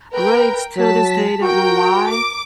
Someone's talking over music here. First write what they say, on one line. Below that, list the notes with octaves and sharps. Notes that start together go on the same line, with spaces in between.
Really, it's till this day, I don't know why,
A#4 B4 G5
F#3 A5 B6
F#4 A#4 G5
D6